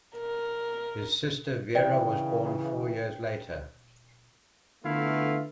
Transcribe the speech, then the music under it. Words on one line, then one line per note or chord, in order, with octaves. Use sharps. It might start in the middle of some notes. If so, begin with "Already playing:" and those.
His sister, Vera, was born four years later.
A#4
C#3 E3 D5 G5
D3 A3 B3 E4 F4 F5